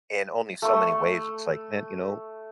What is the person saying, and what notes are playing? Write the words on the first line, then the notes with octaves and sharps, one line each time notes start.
in only so many ways, it's like, man, you know,
A3 C#6